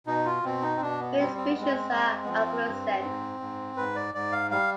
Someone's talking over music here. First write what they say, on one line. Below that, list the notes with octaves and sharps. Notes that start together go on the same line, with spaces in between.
Many species are acaulescent.
B2 D#4
F4
B2 C4
D#4
C4
B2 D4
B3
G3 C4
C4
B3
G#3
C4
G#3
B3
F3 C4
G2
G#2
G#2
G#2 B4
D5
G#2 D5
F5
G3 F5